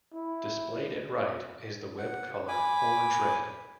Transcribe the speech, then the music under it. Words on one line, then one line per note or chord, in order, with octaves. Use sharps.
Displayed at right is the web color orange-red.
E4
F#5
G#5 B5 D6